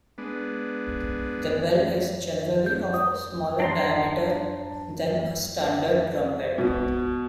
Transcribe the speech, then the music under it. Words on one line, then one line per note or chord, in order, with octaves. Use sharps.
The bell is generally of smaller diameter than a standard trumpet.
G#3 B3 D4
G6
D#6
D4 A#5 C6
B2